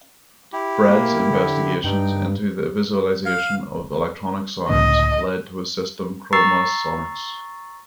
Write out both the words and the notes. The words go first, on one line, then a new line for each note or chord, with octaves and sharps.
Fred's investigations into the visualisation of electronic sounds led to his system Chromasonics.
E4 G4
A#3
D3
G2 D#4 G5
F5
C#2 A2 D3 D#5
A#5 C#6 E6 A6 C7